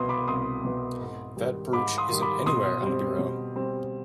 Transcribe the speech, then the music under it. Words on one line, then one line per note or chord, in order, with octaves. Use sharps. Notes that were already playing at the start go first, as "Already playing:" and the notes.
That brooch isn’t anywhere on the bureau.
Already playing: C2 B2 B3 C6 D#6
B5 D6
C2 C6 D#6
B2 B3
G#2
D#3 G3
G#2 B5 D6
C6 D#6
D#3 G3
B5 D6
B2 C6 D#6
G3 C4
B2
G3 C4